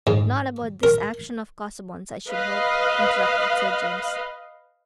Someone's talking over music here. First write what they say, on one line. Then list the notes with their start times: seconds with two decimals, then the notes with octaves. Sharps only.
"Not about this action of Casaubon's, I should hope," interrupted Sir James.
0.07 G#2
0.83 A#4
2.30 B4 D#5 F5